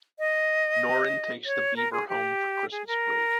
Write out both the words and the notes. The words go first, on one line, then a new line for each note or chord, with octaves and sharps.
Norrin takes The Beaver home for Christmas break.
D#5
C#5
A#4
G#4
G4
G#4
A#4